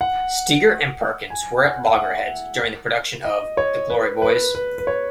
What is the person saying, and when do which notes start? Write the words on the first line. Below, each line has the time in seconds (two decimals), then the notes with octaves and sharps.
Steiger and Perkins were at loggerheads during the production of "The Glory Boys".
0.01 F#5
1.30 G#5
1.62 F#5
1.87 E5
1.95 F#5
3.25 D#5
3.57 C#5
3.90 B4
4.22 B4
4.55 B4
4.78 B4
4.87 C#5